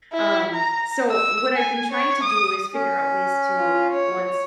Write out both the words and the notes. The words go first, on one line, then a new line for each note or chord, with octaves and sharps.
um, so, what I've been trying to do is figure out ways to once,
E4
A#5
E6
G#5
C#5
D#6
C#4
F4
C#5